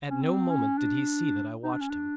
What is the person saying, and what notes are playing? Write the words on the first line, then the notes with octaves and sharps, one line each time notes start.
At no moment did he see that I watched him.
C#4
C4
C#4
D4
D#4
D4
C#4
D4